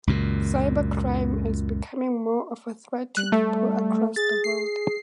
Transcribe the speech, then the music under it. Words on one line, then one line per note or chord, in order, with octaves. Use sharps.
Cyber-crime is becoming more of a threat to people across the world.
C#2 F#2 A#2
G3 F#6
A3
G#4 A6
C7